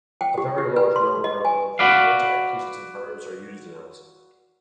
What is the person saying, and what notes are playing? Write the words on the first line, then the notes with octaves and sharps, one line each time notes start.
A very large number of antiaccusative verbs are used in it.
G5
G4
G4
B4
C6
D#5
G#5
F#4 B4 D5 F5